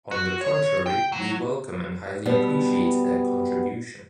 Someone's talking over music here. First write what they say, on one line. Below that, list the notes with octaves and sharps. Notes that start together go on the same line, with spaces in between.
On the contrary, we welcome and highly appreciate their contribution.
F#4
C#5
G5
F#3
B2 G3 B3